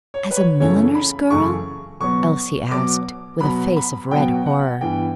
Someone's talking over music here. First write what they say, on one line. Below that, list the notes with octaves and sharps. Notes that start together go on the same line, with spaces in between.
'As a milliner's girl?' Elsie asked, with a face of red horror.
C#5
B4
C#5
F#2 C#3 E3 A3 C#5
B5
F#2 C#3 E3 A3 C#6
B2 F#3 B3 C#6
B2 F#3 B3 D6
B2 F#3 B3 B5
B5
B2 F#3 B3 G5
F#5
G2 E3 B3 G5